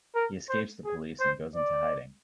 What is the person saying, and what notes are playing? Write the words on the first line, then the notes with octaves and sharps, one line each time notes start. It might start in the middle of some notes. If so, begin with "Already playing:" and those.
He escapes the police and goes into hiding.
A#4
C5
G#4
C5
D5